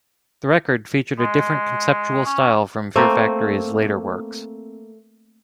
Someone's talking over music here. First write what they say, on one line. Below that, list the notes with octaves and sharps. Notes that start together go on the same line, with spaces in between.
The record featured a different conceptual style from Fear Factory's later works.
G#3
C#4
A3 A#3 C4